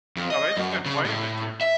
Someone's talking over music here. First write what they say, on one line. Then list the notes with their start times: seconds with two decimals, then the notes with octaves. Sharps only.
No, they just didn't play him this year.
0.17 F2
0.30 D#5
0.57 F#2
0.85 C#3
1.05 A2
1.61 E5